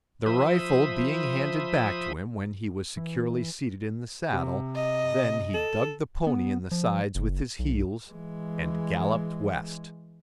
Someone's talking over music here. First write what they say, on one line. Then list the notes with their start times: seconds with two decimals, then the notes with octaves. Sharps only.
The rifle being handed back to him when he was securely seated in the saddle, then he dug the pony in the sides with his heels, and galloped west.
0.26 F3 C5 E5 B5 D#6
2.97 E3
4.33 C3
4.75 D#5
5.54 A4
6.27 B3
6.72 F3
7.15 F#1
7.59 B1
8.11 E3 G#3